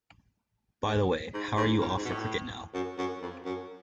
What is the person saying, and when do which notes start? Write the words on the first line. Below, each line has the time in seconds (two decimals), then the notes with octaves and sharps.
By the way, how are you off for cricket now?
0.86 G#2
1.33 G#2
1.57 G#2
1.81 F2
1.96 G#2
2.05 B2
2.11 A2
2.74 F#2
2.98 F#2
3.22 F2
3.45 F#2